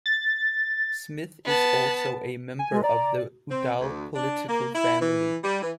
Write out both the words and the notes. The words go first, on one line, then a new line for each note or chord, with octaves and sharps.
Smith is also a member of the Udall political family.
A6
B3 A5
G#5
G#3
D5 A#5
C4
D2
D4
A#3
E4
E3
G3
E3